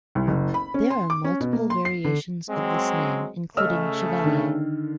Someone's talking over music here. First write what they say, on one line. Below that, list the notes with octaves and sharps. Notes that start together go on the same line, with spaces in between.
There are multiple variations of this name, including Chevalier.
C2
F#1
B5
C#4
C6
D6
C#4
B2
A#3
C6
C7
D3
F#3 G#3 C4
C#3 A3 D#5 E6 F6
D3 D#3